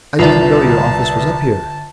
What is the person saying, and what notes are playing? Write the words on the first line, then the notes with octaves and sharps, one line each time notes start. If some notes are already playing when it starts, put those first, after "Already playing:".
"I didn't know your office was up here."
G1 C2 F4 B4 D5 A5